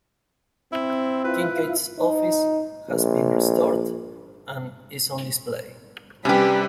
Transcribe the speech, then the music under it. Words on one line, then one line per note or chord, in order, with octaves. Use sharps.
Kinkaid's office has been restored and is on display.
C4 E4
E4 F4 B4
D#4
A#1
C3 G3 C#4 G4 B4 B5